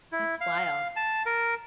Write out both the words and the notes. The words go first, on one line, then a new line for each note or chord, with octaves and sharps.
That's wild.
E4
F5
A5
A#4